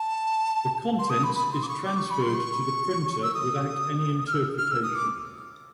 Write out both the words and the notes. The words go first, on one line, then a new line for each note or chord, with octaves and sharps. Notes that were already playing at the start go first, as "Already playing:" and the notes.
The contents is transferred to the printer without any interpretation.
Already playing: A5
C6
D#6
B5
B5
C6
D6
C#6
D6
C#6
B5
C6
C#6
E6
D#6
F6
E6
F6
E6
D#6
D6